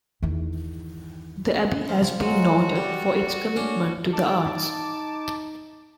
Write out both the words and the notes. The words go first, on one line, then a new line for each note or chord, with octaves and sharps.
The abbey has been noted for its commitment to the arts.
E2 D#3
F3
F#3 G#3 F4 F#4
G3 D5
C#4 D4
D#4 A5 D6